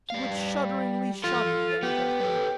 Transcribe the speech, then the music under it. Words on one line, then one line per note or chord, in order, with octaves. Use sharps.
He would shudderingly shun the young gentleman.
G3 F5
F4 A4 C6
B3 G4
A4 B4